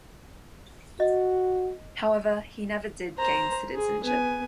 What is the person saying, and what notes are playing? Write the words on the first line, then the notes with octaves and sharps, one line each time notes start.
However, he never did gain citizenship.
F#4 D#5
C5 A#5
G#4
B3 G#5